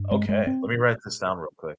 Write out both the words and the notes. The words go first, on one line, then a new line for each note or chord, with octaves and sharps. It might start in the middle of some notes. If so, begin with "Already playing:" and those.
Okay, let me write this down real quick.
Already playing: G2
G#3
G#3
C4